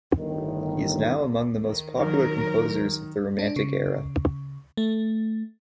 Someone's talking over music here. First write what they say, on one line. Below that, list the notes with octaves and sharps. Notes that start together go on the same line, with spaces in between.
He is now among the most popular composers of the Romantic era.
G1 A2 D#3
D#3
D#3 F#3 A#4
D4
C#3
A3